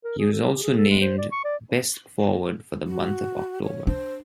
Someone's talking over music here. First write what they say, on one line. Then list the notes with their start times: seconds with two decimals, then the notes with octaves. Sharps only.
He was also named best forward for the month of October.
0.04 A#4
0.19 G#4
0.33 A4
0.47 G4
0.63 G#4
0.78 A4
0.90 G#3
1.01 C5
1.18 D5
1.32 C#6
1.45 D5
2.88 F#4
3.63 C#5
3.87 D4 C5